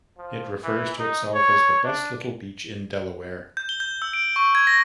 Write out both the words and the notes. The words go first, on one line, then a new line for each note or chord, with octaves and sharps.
It refers to itself as The Best Little Beach in Delaware.
F3
E3
D#4
C#5
D4
G6
G7
G6
E6
D7
C#6
G#6
A#6